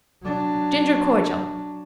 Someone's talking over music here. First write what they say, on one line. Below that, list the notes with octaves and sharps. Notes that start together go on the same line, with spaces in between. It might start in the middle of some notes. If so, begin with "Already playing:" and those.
Ginger cordial.
F#3 D4